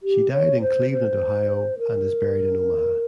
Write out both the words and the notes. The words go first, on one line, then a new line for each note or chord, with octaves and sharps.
She died in Cleveland, Ohio, and is buried in Omaha.
G4
C#5
C5
C5
A#4